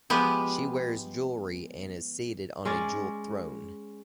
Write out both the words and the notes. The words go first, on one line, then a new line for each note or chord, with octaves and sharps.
She wears jewellery and is seated on a jewelled throne.
F3 G#3 B3 G4
G#3 C#4 D5